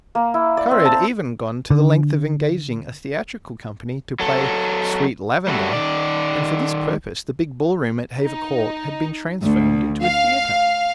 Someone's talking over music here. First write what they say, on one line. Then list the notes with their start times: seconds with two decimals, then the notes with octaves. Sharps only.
Kara had even gone to the length of engaging a theatrical company to play "Sweet Lavender," and for this purpose the big ballroom at Hever Court had been transformed into a theatre.
0.15 A#3
0.34 E4
0.57 D5
0.71 C4
0.85 A5
1.70 D3
4.20 F#3 A4
5.48 G3 A3 F#4
5.73 D#3 D5
8.24 D#4
9.41 D2
10.02 F5